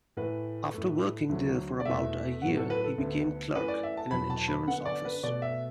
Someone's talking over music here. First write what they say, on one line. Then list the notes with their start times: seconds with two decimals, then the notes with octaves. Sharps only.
After working there for about a year he became clerk in an insurance office.
0.17 A2 E3 A3 B4
0.74 A2 A3
1.29 D2 D3 F#3
1.80 D5
1.85 E2 B2 A3 E5
2.42 A2 F#3 B3 F#5
2.57 A4
2.70 B4
2.84 A4
2.98 D2 D3 B3
3.55 F#2 E3 A3 B4
3.68 D5
3.83 E5
3.97 A5
4.10 E2 B2 F#3 B5
4.30 A5
4.48 B5
4.67 F#2 D3 B3 F#5
4.85 D5
5.05 B4
5.23 B2 A3 D5
5.42 E5